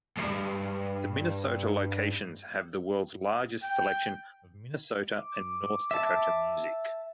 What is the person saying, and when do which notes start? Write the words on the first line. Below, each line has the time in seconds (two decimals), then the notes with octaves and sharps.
The Minnesota locations have the world's largest selection of Minnesota and North Dakota music.
0.17 B1 G2
3.62 G5
5.17 D6
5.91 E5 A5